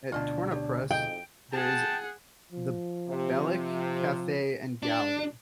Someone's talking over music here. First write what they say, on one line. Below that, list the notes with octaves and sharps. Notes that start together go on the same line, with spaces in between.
At Tornapress there is the "Bealach Cafe and Gallery".
D2 B2 D4 F4 D#5 A5
D4 G4 C#5
F2 D#4 G#4 F5 G5
G#4 F#5 G5 A5
F3
C3
D4